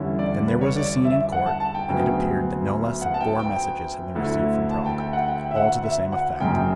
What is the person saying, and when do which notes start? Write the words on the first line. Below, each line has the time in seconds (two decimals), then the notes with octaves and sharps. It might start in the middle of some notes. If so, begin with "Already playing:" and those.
Then there was a scene in Court, and it appeared that no less than four messages had been received from Prague, all to the same effect.
Already playing: E2 D3 G3 C#4 E4
0.19 D5
0.48 B4
0.61 C#5
0.76 D5
1.05 E5
1.32 F#5
1.46 A5
1.60 A5
1.75 G5
1.89 D2 C#3 F#3 B3
3.02 F#5
3.14 A5
3.21 G5
3.39 G5
4.15 D2 D3 A3 E4
4.71 A5
4.86 G5
5.00 G5
5.13 F#5
5.28 G5
5.51 E5
5.56 F#5
5.84 E5
6.12 F#5
6.40 F#1 F#2 C#3 G5